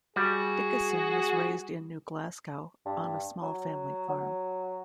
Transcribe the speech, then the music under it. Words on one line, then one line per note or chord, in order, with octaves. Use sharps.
Dickieson was raised in New Glasgow on a small family farm.
G3 F#4 G#4
G2
F#3
F#3